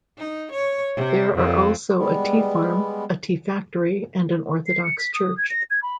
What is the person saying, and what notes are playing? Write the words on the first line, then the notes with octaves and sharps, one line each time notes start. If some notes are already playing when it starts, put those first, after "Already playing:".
There are also a tea farm, a tea factory and an Orthodox church.
D#4
C#5
C3
F2
G3 G#3 B3
C7
C#7
B6
D#6
G#6
A#6
G#6
B5